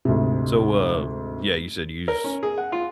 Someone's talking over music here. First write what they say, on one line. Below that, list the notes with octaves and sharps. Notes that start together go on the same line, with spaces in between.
So, uh, yeah, you said you use
D2 G#2 C3
A#4
C#4
G#4
F#5
F4